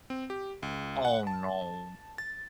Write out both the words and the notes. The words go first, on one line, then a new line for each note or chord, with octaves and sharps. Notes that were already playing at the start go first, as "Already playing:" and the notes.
Oh, no.
C4
G4
C#2
F#5
A5
A6